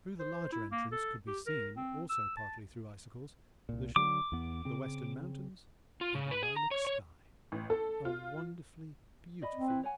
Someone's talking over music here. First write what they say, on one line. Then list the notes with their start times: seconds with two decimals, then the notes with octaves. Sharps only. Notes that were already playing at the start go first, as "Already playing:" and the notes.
Through the larger entrance could be seen, also partly through icicles, the ship, the Western Mountains, and a lilac sky; a wonderfully beautiful picture.
0.20 C5
0.52 E4
0.72 A#3
0.92 A4
1.27 G4
1.47 A#4
1.77 C4
2.10 E6
2.37 A5
3.69 C2 A#2
3.96 D3 F#3 D6
4.32 E2 B3
4.65 C#3 C4
6.01 F4
6.15 C#3
6.31 B4
6.43 G#4
6.56 A#5
6.71 C#5
6.87 C#5
7.52 A1
7.70 A4
8.05 F4
9.42 D5 D#5 B5
9.55 C4
9.68 E4 B4
9.83 C#5 F#5 G#5